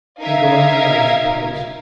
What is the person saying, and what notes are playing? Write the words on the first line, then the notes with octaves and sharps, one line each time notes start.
You're going there I suppose.'
D#4 A#4 E5 F5 G#6